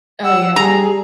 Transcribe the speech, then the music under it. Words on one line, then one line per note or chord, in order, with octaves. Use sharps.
Oh, yeah.
F#5 E6
G3 G#4 A#5